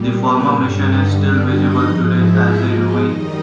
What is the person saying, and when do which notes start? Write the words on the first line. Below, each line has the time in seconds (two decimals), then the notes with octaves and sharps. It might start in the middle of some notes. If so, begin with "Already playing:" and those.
The former mission is still visible today as a ruin.
Already playing: A#2 G3
0.22 B3 B4
0.53 G2 D3 G3 C#4 C#5
0.84 D#4 D#5
1.15 D4 D5
1.45 D#4 D#5
1.77 G#2 F3 G#3
2.08 E4 E5
2.39 E4 E5
2.70 D#4 D#5
3.01 F#2 D#3 G3 D#4 D#5